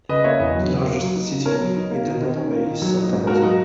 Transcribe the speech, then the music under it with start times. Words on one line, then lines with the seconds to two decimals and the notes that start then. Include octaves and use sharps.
The largest city in the North Bay is Santa Rosa.
0.09 C#3 B4 D#5
0.24 A#3 C#5 E5
0.40 E2 B4 D#5
0.55 F#3
0.70 C#3
0.85 A#3
1.01 F#3
1.15 D#4
1.31 C#3
1.45 B3 A#4 C#5
1.61 F#3
1.76 D#4
1.91 A#3
2.06 D#3
2.21 D#3
2.36 C#4
2.51 A#3
2.67 D#3
2.82 F#3
2.97 D#4
3.13 G#2
3.27 A#3 F#4 A#4
3.42 F#3 D#4 F#4